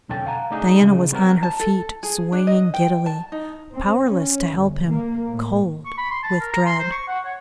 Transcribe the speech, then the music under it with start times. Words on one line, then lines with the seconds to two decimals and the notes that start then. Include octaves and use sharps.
Diana was on her feet, swaying giddily, powerless to help him, cold with dread.
0.09 B1 F2 D3 C#4 A4 G5
0.26 F5 F#5 G#5 A#5
0.50 A3 D4 D#4 G#4
0.79 C#3 E3 G#3
1.12 G3 B3 C4 A#4
1.43 A5
1.60 A4
2.03 G#4
2.32 D4
2.47 D#5
2.74 G5
3.06 A5
3.32 D#4
3.72 C4
4.08 C#4
4.53 G1
4.86 A#3
5.29 A2
5.86 C#6
5.97 B5
6.11 C6
6.23 A5
6.41 A#4
6.53 A#5
6.66 C6
6.80 C5
6.91 C#6
7.08 F#5
7.25 C#5